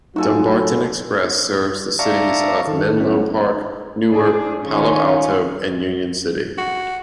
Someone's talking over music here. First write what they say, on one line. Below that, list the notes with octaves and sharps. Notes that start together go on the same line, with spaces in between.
Dumbarton Express serves the cities of Menlo Park, Newark, Palo Alto, and Union City.
F#3 A3 D#4 F4 F#4 A4 G#5
D5 E5 F5 A5 A#5 C#6
D#3 A4
F#3 B3 C#4 E4
D4 G#4
D#3 C#4 F4
F#4